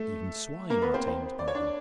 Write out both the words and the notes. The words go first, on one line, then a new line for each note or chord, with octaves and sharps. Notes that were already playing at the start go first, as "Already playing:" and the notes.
Even swine are tamed by them.
Already playing: A3 A4
A#3 A#4
B3 B4
C4 C5
C4 C5
D5
C#5
D4 D5